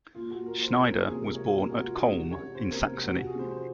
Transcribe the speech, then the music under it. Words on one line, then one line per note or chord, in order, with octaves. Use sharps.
Schneider was born at Collm in Saxony.
A#2 F4
A#2 F#4
A#2 A#4
F3 C5
C#5
A#2
A#4
F3 G#4
C3 G#4
A#4
C3
C#5
F#3
C3 A#4
F#4
C3
F4
F#3 D#4
C3 F#4
F#3
C#5
C3
F#3 C5
C3 A#4
C3
C3 F#4
F#4
F3
G#4
C3 C5
F3 C5